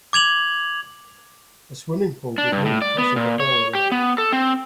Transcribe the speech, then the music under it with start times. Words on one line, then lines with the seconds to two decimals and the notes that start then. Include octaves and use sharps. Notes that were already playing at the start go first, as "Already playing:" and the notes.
A swimming pool with men tossing a ball around.
0.13 D6 G#6 F7 F#7
2.38 D4
2.52 G2
2.65 A2
2.82 D5
2.98 B3
3.16 A#2
3.40 C#5
3.75 G4
3.92 B3
4.18 A4
4.32 C4